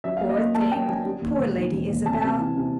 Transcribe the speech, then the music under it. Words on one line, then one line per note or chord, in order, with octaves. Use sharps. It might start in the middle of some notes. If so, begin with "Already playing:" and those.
Poor thing--poor Lady Isabel!
F#3 E5
A#3 F5
D#5
A#3
A#3 A5
A#3 G5
F#3 G#5
G3
D#2
E1
D#3
E1
D#2
C3 A5
G#5
C3 A5
E3
C3